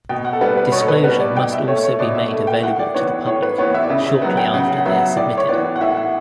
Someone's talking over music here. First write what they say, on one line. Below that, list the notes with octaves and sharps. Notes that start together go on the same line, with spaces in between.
Disclosure must also be made available to the public shortly after they are submitted.
B2 G5
F#5
A4
G3 B3 B4
B4
B2 C#5
A4
B4
G3 B3 B4
D5
B2 G5
E5
A3 C#5
C#5
B2 D5
E5
A3
G5
A2 F#5
D5
E3 B3 C#5
A2 C#5
B4
E3 B3 C#5
E5
D5
C#3 E5
E5
F#3 B3 F#5
G5
C#3 F#5
F#5
F#3 B3 E5
A2 D5
C#5
E3 B3 D5
F#5
A2 E5
F#5